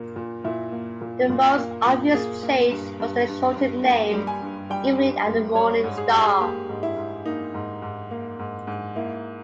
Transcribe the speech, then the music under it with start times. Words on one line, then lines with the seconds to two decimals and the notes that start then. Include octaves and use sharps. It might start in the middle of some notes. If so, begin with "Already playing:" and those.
The most obvious change was the shortened name, Evening and Morning Star.
Already playing: A#2 A#3
0.16 A#2
0.44 A#2 E4
0.72 A#3
1.01 A#2
1.29 A#2
1.58 A#3
1.86 A#2
2.14 A#3 G#4
2.43 A#3
2.71 G2
3.00 G2
3.28 G2
3.57 G2
3.85 A#3 G5
4.13 G3
4.27 G#5
4.42 G2
4.70 G3 G5
4.99 G2
5.27 A#3
5.55 G3 C#5
5.84 G#2
5.98 G#4
6.12 G#2 G4
6.26 G#4
6.40 A#3 G4
6.69 G#2
6.83 E4
6.97 G#2
7.26 A#3 D#4
7.54 G#2
7.82 G#2
8.11 A#3
8.39 G#2
8.67 G#2
8.96 A#3 E4